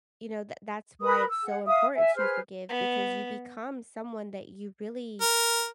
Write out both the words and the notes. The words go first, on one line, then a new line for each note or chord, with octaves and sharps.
you know, th that's why it's so important to forgive, because you become someone that you really,
A#4 B4 B5 D#6
E6
G#4 F#5
E5 F5 D#6
E5 G#5
G#4 B4 C5 F6
B3
A#4